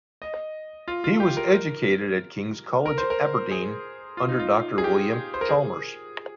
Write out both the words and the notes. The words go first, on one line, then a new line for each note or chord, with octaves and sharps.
He was educated at King's College, Aberdeen, under Doctor William Chalmers.
D#5
F4
F4
G4
A#4
A#4
C5
A#4
G#4
F4
D#4
F4
G#4
G4
C5
A#4
G#4